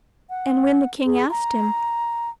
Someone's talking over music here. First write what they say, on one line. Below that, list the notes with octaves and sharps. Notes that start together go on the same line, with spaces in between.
And when the king asked him.
F#5
G#4
A#5